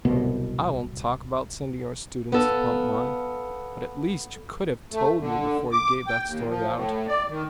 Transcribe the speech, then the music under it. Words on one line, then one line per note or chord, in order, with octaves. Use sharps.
"I won't talk about sending your students to pump mine, but at least you could have told me before you gave that story out."
D1 C2 B2 B3
B3 A4 F5
A3
D3
D6
G5
D#2
F3
A2
D5
D#3